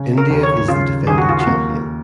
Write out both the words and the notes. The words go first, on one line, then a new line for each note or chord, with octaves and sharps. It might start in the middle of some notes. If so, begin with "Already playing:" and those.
India is the defending champion.
Already playing: C#3
A#4
D#2
C#5
C#3 F4
D#2 G#4
F#4
F4
F#4
A#3